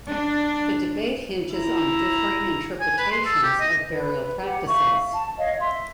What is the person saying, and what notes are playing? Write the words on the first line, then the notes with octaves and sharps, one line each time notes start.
The debate hinges on differing interpretations of burial practices.
D4
E4 A#5
G#5
B4
C6
A4
G4
D#5
B4
G4 F#5
E5 F5 C#6
A5
C#5 D#5 F5
E5 C6